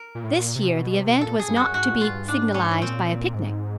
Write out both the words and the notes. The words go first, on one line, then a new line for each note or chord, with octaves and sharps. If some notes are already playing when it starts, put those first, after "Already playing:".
This year the event was not to be signalised by a picnic.
Already playing: A#4
A#2
A2
A#2
C3
B2
C3
B2
A#2 A4
G#4
G2
F#2 F#4
G#2 F#4
A2
A#2
F4
G2
G#2 D4
C#4
A#2 C4
G#2